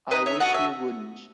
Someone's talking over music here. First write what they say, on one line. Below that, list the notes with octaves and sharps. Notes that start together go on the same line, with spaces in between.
I wish you wouldn't.
D#4 B4 D#5
C#5 E5
F#4 A4 D#5 F#5
E5 G#5